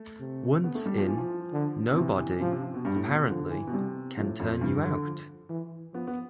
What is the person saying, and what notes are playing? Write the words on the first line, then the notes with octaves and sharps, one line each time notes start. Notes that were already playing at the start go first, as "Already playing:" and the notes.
Once in, nobody, apparently, can turn you out.
Already playing: A3
C3
B3
A3
G3
F3
E3
F3
D3
B2
C3 E3
E3
C3 F3
C3
C3
B2
G2 G3
A2
B2
C3
D3 F3
E3
B2
C3 G3
A2 F3
F2
G2 E3
D3
F3
E3
F3 B3
B3